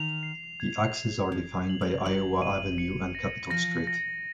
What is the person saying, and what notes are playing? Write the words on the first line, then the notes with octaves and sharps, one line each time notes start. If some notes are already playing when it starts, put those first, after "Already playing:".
The axes are defined by Iowa Avenue and Capitol Street.
Already playing: D#3 F7
C7
G#6
F7
F3 G#6
F#7
G#3
F#3 F#7
D#7
C#7
A#6
F3 A#6
A#6